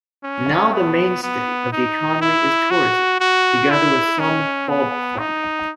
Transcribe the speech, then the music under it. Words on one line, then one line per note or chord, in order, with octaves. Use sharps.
Now the mainstay of the economy is tourism, together with some bulb farming.
C#4
B3
B3
D#4
E4
F#4
F#4
E4
C#4
B3
D#4